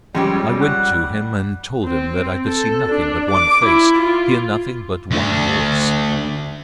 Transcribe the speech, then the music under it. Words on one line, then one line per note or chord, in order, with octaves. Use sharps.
I went to him and told him that I could see nothing but one face, hear nothing but one voice.
F2 G3 G#3 C#4 G4
F#5
C4
A4
D4
D6
E4
F4
D2 D4